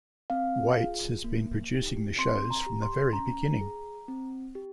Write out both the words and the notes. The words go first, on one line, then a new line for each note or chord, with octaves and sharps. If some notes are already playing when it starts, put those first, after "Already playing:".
Waites has been producing the shows from the very beginning.
C4 F5
F4 G#4
A#3
D#4 G4
C4 C6
A#5
G4
C6
C#4 A#5
G#4
C4
G4